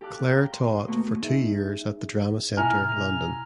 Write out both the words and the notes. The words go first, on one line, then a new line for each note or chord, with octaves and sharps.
Claire taught for two years at the Drama Centre London.
G4 A4 F5 A5 D6 F#6
G5 A#5
C6
D#2 B2 A3 A#3 C#6
D#4 G#4 E5
B2 E4 G#5 A#5 F6